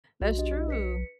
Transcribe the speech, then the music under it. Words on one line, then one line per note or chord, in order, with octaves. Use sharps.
That's true.
B1 F#4 D#5
D4 G4 D#5
B4 B6 C#7